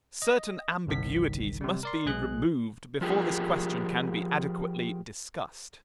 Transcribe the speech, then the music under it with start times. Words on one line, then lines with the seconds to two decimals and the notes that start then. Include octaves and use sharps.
Certain ambiguities must be removed before this question can be adequately discussed.
0.22 D#5
0.87 G1 C2 D#3 B6
1.61 C3 G3
1.83 A#4 D5 C6
2.06 B1 G#3 G#4 F#6
3.01 F3 F4 G4 G#4 A#4